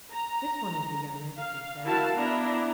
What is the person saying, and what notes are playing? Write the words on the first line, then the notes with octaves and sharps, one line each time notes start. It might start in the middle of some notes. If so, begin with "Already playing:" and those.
'This one is the youngest,' he said.
A#5
F5
E4 F#4 A#4 F5 A5
B3 D4 E4 A#5